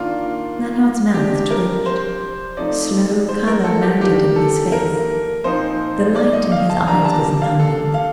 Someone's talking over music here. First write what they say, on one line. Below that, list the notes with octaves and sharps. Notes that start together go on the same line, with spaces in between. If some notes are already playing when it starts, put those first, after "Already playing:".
Lanyard's mouth twitched, slow colour mounted in his face, the light in his eyes was lambent.
Already playing: D#3 A#3 D4 F4
C3 G3 D4 G4
A#4
C5
F3 A3 C4 D#4 D5
C5
A#4
A4
G4
D#3 G3 A#3 D4 G4
A4
A#4
A#2 F3 C4 D#4 C5
D5
D#5
F5
A5
A#2 G3 A#3 D4 A#5
A5
F5
A4
F5